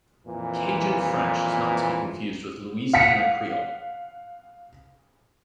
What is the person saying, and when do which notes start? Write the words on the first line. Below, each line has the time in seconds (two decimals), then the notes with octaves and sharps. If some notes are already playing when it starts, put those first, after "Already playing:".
Cajun French is not to be confused with Louisiana Creole.
0.25 F2 A#2 E3
2.93 F5 F#5 B6 C#7